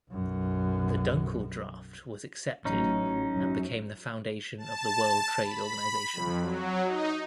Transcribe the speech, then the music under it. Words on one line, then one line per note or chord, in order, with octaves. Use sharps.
The Dunkel Draft was accepted and became the foundation of the World Trade Organisation.
B1 F#2
A1 F#3 C#4 D#4
F#2
A5
B5
F2
F#3
D#4